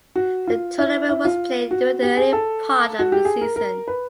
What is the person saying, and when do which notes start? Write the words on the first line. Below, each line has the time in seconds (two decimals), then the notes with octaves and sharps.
The tournament was played during the early part of the season.
0.16 F#4
0.47 F4
0.78 E4
1.09 E4
1.25 F4
1.71 F#4
2.02 G4
2.17 G#4
2.33 A4
2.99 F#4
3.12 G4
3.25 G#4
3.41 A#4
3.56 A#4
3.88 B4